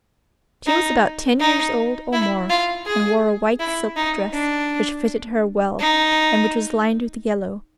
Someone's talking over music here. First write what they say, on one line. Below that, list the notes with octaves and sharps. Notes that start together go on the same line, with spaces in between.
She was about ten years old or more, and wore a white silk dress, which fitted her well and which was lined with yellow.
D#4
D#4
E4
F4
G#4
E4
D#4
D4
D#4